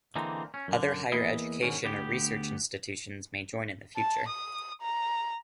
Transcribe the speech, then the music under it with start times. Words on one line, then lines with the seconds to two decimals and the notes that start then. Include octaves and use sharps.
Other higher education or research institutions may join in the future.
0.16 D3 E3 G#3 A#3 C4 D#4
0.54 C#4
0.68 F#2 D3
1.12 E2 A#3 B4 D#5 E5 G#5
1.62 G#2 B2 D3 D#3 C#4
1.83 D2 B3 G4
3.96 A5
4.28 D#6
4.82 A#5